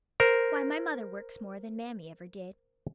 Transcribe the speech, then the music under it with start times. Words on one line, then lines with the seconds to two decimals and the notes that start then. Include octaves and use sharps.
Why, my mother works more than Mammy ever did.
0.20 A#4 C5